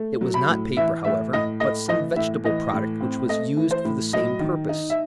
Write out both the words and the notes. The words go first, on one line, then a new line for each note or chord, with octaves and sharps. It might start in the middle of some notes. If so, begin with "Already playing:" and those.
It was not paper, however, but some vegetable product which was used for the same purpose.
Already playing: A3
F#3
B5
A2
E3 E5
A2 E5
A2 D#5
A3 D#5
E3 D#5
A2 E5
E3 D#5
A2
C4
A3 D#5
E3
C5
A2
F#3 D#5
D#3
D#4
E5